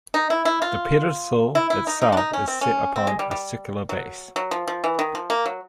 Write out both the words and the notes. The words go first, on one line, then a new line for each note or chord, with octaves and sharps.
The pedestal itself is set upon a circular base.
D#4
E4
E4
F4
E4
E4
D#4
D#4
D4
D#4
C#4
C4
C#4
C4
G#3
G3
G3
F#3
F#3
F3
F3
E3
D#3
F3
A#3
F#3